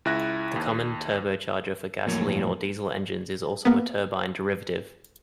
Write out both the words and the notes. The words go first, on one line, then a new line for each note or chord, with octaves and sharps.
The common turbocharger for gasoline or diesel engines is also a turbine derivative.
C#2 E4 E5 F#6 A#6
D#2
F2 A2 F#3 A#3 C#5
A#3 B3